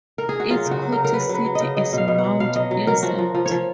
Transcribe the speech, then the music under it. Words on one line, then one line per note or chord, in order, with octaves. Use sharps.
Its county seat is Mount Pleasant.
A#4
G#4
F#4
F#3 F4
C#3
F#4
F#3
A#4
C#3
A#4
F#3 B4
F#3 B4
F#3
D#5
C#3
F#3 D#5
B2
F5
B2
F#5
F#3
B2 F5
F#3 D#5
F#3
F#3 A#4
F3 F#4
F3
F3
C#5
F3